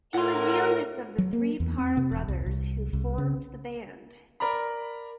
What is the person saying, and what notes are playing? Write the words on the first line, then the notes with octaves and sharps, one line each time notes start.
He was the youngest of the three Parra brothers who formed the band.
A2 A#4 F#5 C6
F#3
A#3
E2
C4
C3
E1
C2
C2
C2
C#3
A#4 D5 A#5 B5